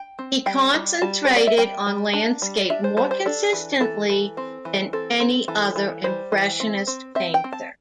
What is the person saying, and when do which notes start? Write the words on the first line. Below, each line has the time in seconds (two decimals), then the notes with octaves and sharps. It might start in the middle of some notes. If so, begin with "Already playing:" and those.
He concentrated on landscape more consistently than any other Impressionist painter.
Already playing: G5
0.19 C4
0.46 G3 G5
0.74 G3
1.01 G3 A5
1.25 C5
1.31 C4
1.36 D5
1.47 E5
1.58 G3 G5
1.86 G3
2.13 D4
2.42 G3
2.70 D4 E5
2.84 C5
2.97 G3 C5
3.11 C5
3.26 D4 A4
3.53 E3
3.80 E3 A4
4.10 E3
4.37 C4
4.65 E3
4.93 C4 A4
5.20 C4
5.48 E3 A4
5.76 E3
6.04 G3 C5
6.32 E3
6.60 C4
6.87 C4
7.15 C4 E5
7.34 G5
7.44 C4
7.53 A5